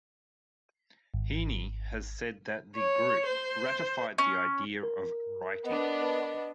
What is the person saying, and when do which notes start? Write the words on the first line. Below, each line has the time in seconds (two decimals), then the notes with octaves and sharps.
Heaney has said that the group "ratified the idea of writing".
1.14 G#1
2.76 C#5
3.27 C5
4.18 C#4
4.83 A#4
5.66 B3 D4 D#5